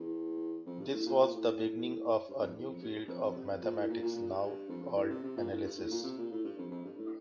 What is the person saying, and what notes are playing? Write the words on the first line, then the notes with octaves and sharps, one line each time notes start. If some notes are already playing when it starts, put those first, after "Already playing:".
This was the beginning of a new field of mathematics now called analysis.
Already playing: E2
F2
G2
A2
A#2
A#2
A2
G2
F2
E2
F2
G2
F2
F2
C3
F2
A#2
A2
A#2
A#2
A#2
G2
F2
F2
A2
C3
C3
A#2
A2
G2
A2
A#2
C3
A#2
A2
G2
F2
F2
G2
A2